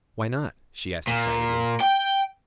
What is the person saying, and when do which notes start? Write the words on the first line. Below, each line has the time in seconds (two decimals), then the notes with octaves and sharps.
"Why not?" she asked excitedly.
1.07 A#2
1.81 G5